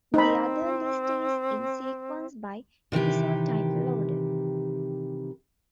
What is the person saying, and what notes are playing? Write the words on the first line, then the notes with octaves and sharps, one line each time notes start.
The other list is in sequence by "episode title order".
C4 D#4 B5
C3 D#3 E3 G4